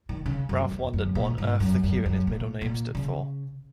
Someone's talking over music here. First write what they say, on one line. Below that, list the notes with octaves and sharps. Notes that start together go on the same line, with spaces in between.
Ralph wondered what on earth the Q in his middle name stood for.
D#3
C#3
F#2
F2
F#2
A#2
G#2
F#2
F#2
F#2
A#2
A#2
C#3